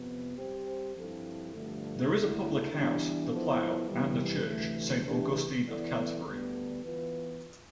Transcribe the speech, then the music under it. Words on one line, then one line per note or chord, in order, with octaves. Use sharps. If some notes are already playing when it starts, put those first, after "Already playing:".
There is a Public House, "The Plough" and a Church, "Saint Augustine of Canterbury".
Already playing: F2 C3 F3 B3
G3 C4 G4 C5
G2 F3 C4 E4 A4
G2 D3 F3 A3
D2 D3 A3 E4 A4
E3 G3 B3 D4
F3 B3 E4 A4 C5
F2 C3 E3 G3
D2 C3 E3 A3
E3 A3 D4 G4
E3 B3 E4 A4 D5
D2 D3 G3 B3
E3 B3 F4 B4